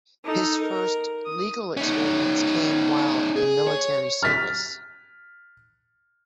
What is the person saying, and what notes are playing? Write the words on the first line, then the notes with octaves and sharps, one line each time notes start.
His first legal experience came while in military service.
D#4 A4
A#4
D#6
C#4 D#4
G#4
C#5
F6 A6 B6